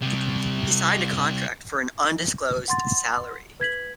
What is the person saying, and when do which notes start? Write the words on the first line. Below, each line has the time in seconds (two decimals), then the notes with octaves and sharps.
He signed a contract for an undisclosed salary.
0.02 C3 G3
2.68 F#5 C6 A6
3.60 B4 G#6 B6 F#7